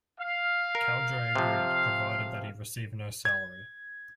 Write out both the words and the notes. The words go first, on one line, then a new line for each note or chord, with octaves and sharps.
Cowdray agreed, provided that he receive no salary.
F5
A#4
C3 F3
G#6